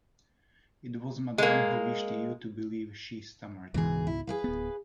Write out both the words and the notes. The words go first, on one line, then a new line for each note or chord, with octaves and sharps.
"It was madame who wished you to believe," she stammered.
G#3 A#3
C#2 G#2 B2 E3 G#4
E4
G#4 B4 F5
D1 B3